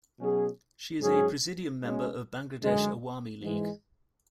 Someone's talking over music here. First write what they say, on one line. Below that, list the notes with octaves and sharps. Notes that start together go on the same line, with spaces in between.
She is a presidium member of Bangladesh Awami League.
B2 F#3 C#4 G#4
G#2 F#3 C#4 G#4
B2 G#3 C#4
F#2 D3 G#3
G#2 E3 G#3